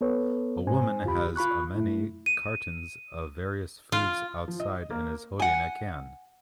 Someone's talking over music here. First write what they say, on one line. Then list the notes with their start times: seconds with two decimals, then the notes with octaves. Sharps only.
A woman has a many cartons of various foods outside and is holding a can.
0.01 B3 A4 B4 C#5
0.67 G#2 C4 C5 G#5
1.04 D2 F4 G4 B5
1.36 F4 B5 C#6 F#6
1.75 F#2 A3 E4
2.26 D#7
3.92 F4
4.48 F3
4.60 D#5
4.90 A#3
5.39 F#5 G#5